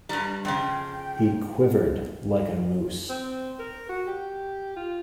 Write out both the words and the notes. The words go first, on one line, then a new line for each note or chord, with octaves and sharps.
He quivered like a mousse.
G2 G3 A#5
F2 C#3 G5
C4
A#4
F#4
G4
F4